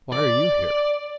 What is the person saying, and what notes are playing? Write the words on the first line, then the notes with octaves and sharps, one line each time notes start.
"Why are you here?"
D5